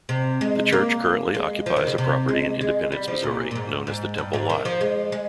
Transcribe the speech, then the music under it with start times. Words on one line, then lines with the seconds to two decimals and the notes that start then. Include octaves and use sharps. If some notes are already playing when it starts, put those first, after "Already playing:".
The church currently occupies a property in Independence, Missouri, known as the Temple Lot.
0.09 C3
0.41 G#3
0.72 A#3
1.34 G#3
1.66 F3
1.76 D#3
1.87 C#3
1.98 C3
2.29 G#3
2.61 G#3
2.92 G3
3.08 F3
3.23 A#2
3.51 A#2
3.55 G#2
3.87 G#2
4.18 G2
4.33 G#2
4.49 D#3
4.65 F3
4.81 G#3
5.12 G#3